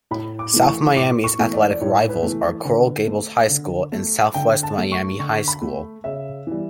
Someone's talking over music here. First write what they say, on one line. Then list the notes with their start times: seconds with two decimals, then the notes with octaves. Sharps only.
South Miami's athletic rivals are Coral Gables High School and Southwest Miami High School.
0.11 A2 B5
0.39 D6
0.54 E3 A3
0.68 C#6
0.96 A2 D6
1.24 C#6
1.39 E3 A3
1.53 D5
1.70 D5
1.80 A2 C#5
2.09 B4
2.23 E3 A3
2.65 D3
3.07 A3
3.50 D3
3.92 A3
4.34 D3 G5
4.63 A5
4.78 A3
4.92 C#6
5.19 D3 C#6
5.48 B5
5.62 A3
6.04 C#3 E5
6.47 E3 G3